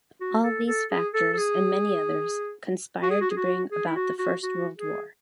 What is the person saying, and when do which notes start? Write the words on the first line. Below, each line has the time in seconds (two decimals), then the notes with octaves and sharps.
All these factors, and many others, conspired to bring about the First World War.
0.21 F#4
0.44 A4
0.68 A4
0.91 G#4
1.14 A4
1.33 A4
1.37 G#4
3.02 F#4
3.11 G#4
3.21 F#4
3.31 G#4
3.37 F#4
3.72 G#4
3.87 E4
3.96 F#4
4.19 F#4
4.43 F#4
4.78 G#4